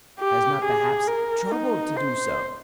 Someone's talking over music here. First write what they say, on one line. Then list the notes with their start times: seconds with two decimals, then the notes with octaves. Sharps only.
Has not perhaps troubled to do so.
0.20 G4
0.64 G#4
1.08 A#4
1.52 D#4
1.97 C5